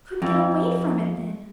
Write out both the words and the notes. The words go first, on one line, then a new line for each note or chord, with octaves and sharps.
I couldn't get away from it then.
F2